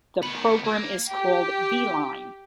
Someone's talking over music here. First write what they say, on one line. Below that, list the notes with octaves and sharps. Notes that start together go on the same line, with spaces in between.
The program is called "Veline".
D#3 B3 B5
A#3
G4